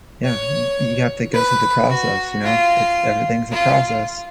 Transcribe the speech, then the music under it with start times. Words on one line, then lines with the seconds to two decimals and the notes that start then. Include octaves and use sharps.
yeah, you you have to go through the process, you know? It's everything's a process.
0.24 C#5
1.33 B4
1.89 F#4
2.43 F4
3.51 F4